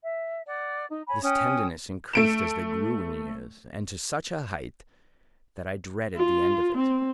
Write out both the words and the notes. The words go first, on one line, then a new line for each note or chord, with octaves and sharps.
This tenderness increased as they grew in years, and to such a height, that I dreaded the end of it.
E5
D5 F#5
D#4
C#5 G#5 B5
C#4 G5 G#5 D#6
A3 D7 E7
F4
C4